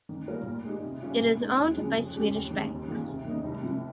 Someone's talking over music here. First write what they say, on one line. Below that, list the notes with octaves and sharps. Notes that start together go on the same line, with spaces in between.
It is owned by Swedish banks.
D#3
G3 A#3 F4 A#4
A#2
G#3 D#4 G4
C3
G3 C#4 F4
A#2
G#3 D#4 G#4
D#2
C#3 F3 G#3
F2
C#3 G#3 C#4 G4
D#2
D#3 G#3 C4
D#2
D#3 A#3 F4 G#4
C3
D#3 A#3 D#4
C2
C3 F3